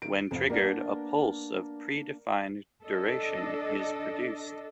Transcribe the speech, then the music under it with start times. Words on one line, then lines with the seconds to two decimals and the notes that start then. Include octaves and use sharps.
When triggered, a pulse of pre-defined duration is produced.
0.02 D#3 D7
0.31 F2 C3 F5
0.50 A#3 B3 D4 A#4 D5
2.85 D4 A4 D#5